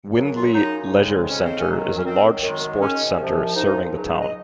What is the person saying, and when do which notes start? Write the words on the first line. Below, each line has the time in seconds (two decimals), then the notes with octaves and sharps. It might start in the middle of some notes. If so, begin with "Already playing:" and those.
Wyndley Leisure Centre is a large sports centre serving the town.
0.15 F#2 C#3 F#3
0.34 F4
0.53 F#2 C#3 F#3 D#4
0.91 F2 C#3 G#3
1.28 F2 C#3 G#3 C#4
1.43 C4
1.57 C#4
1.66 F#2 D#3 F#3
1.96 C#4
2.04 F#2 D#3 F#3 C4
2.42 F#2 D#3 G#3
2.80 F#2 D#3 G#3 C#4
3.18 C2 C3 F3
3.55 C2 C3 F3 D#4
3.93 C#2 C#3 F#3
4.19 D#5